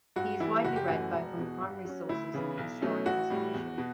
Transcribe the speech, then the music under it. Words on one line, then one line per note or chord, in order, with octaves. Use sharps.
He is widely read both on the primary sources and the historical scholarship.
G2 F#4
E3 G3 E4
F#1 F#4
G4
F#2 E3 A3 F#4
E1
E2 B2
G2
F#3 C#4
D2 E4
C#3 E3 B3
B1
B2 F#3 A3 C#4
A1 F#4
A2 G3
E2
B2